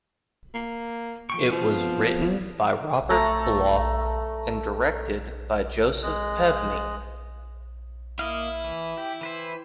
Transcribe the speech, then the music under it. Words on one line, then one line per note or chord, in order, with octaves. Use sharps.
It was written by Robert Bloch, and directed by Joseph Pevney.
A#3
F3 G5 C#6
F3 B3 C4 F4
A3 A4 A5 A#5
G#3 D#5 F#6
A#3 E4 D#5 F5
E3
G4
E3 B4 C5